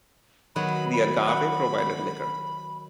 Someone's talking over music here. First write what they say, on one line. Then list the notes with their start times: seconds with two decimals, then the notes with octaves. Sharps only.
The agave provided liquor.
0.56 D#3 F#3 B3 B5
0.93 B5
1.28 F#5